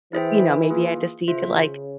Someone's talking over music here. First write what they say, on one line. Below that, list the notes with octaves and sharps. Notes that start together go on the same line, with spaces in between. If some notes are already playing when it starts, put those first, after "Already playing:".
uh, you know, maybe I just need to like
E3 E4 G#4 C5 E5 G5
A#3 F4 G#4
C#3 F4 C5 E5